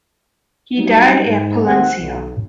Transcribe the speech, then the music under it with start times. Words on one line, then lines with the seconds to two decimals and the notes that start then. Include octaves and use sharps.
He died at Palencia.
0.77 F#3 G3 D#4
1.27 G#2
1.64 D#2 A3 C4 F#5
1.99 B1